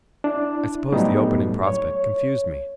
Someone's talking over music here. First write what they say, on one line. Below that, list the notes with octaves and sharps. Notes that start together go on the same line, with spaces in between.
I suppose the opening prospect confused me.
D4 E4
A2 F#3 G3 A3 B3 D#4
C#5